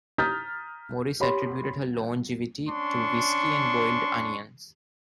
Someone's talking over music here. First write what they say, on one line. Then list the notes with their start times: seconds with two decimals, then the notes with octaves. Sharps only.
Morris attributed her longevity to whisky and boiled onions.
0.18 A#5 D#6 F6 G6 A6 B6
1.20 G4 C#5 B5 C6
2.68 C#4 D4 C6 C#6